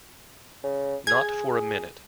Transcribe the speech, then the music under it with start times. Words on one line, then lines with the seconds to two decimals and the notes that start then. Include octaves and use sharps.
Not for a minute.
0.63 C#3
1.07 G#4 G#6